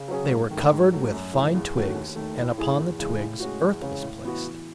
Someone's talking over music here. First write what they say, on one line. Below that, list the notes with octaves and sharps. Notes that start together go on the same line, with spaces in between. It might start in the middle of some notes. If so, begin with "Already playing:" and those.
They were covered with fine twigs, and upon the twigs earth was placed.
Already playing: C#3
F#3 C#4 G#4
G#2
D#3 A3
G#2
F#3 A3
F#2
C#3 E3 A3
E2
D#3 A3 C#4 F#4
D#2
D#3 A3
A2
E3 A3 E4 G#4
E2
C#3 E3 G#3
A2
G#3 C#4 F#4
E2
C#3 E3 G#3 C#4
A2
E3 B3 F#4
E3